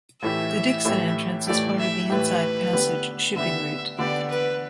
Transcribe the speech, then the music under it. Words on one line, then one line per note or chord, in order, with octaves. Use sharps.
The Dixon Entrance is part of the Inside Passage shipping route.
A2 E3 A3 E4 G4 E5
A2 E3 A3 E4 G4
A2 E3 A3 E4 G4 D5
E5
A2 E3 A3 E4 G4 B4
D3 B3 G4
D3 B3 G4 E5
D3 B3 G4 D5
B4